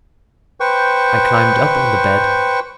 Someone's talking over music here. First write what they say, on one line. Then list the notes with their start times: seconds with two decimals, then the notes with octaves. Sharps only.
I climbed up on the bed.
0.60 B4 C5 G5 C#6